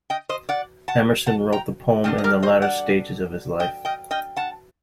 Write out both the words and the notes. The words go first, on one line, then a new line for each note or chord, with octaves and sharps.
Emerson wrote the poem in the latter stages of his life.
D#5 G5
C5 D#5
D5 F#5
F#5 A5
F#5 A5
G5 A#5
D3 G3 D4 D#5 G5
D#5
A#4 D5
C5 D#5
D5 F#5
D#5 G5
D#5 G5
D#5 G5
F#5 A5